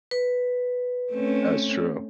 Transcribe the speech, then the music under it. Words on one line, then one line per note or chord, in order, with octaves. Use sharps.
That's true.
B4
A3 C4 C#4